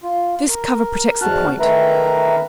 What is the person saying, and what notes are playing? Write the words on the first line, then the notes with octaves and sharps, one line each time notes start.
This cover protects the point.
F4
A#4
E2 G#2 F#4 A5 F6 F#6
D#3 A3 A#4 B4 E5 A#5